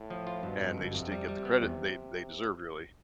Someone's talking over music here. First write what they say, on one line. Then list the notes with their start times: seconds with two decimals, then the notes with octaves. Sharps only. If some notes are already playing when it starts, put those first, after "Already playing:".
and they just didn't get the credit they they deserved, really.
Already playing: A2
0.10 F3
0.27 F4
0.43 G2 B2
0.61 G2
0.78 G1
0.95 F2 C3
1.12 G3
1.28 G3
1.45 B3
1.62 E2